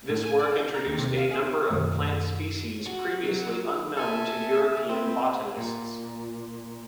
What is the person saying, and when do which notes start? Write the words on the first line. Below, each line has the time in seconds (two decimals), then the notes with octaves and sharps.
This work introduced a number of plant species previously unknown to European botanists.
0.09 A2
0.25 G#5
0.39 D5
0.55 G6
0.74 A#5
0.87 D#2
0.98 C3
1.18 F5
1.31 G#4
1.70 F#2 B2 D#3 A3
2.87 F#4
3.24 F#3
3.97 A4 E5 G#5
4.90 C4 B4
5.57 A#2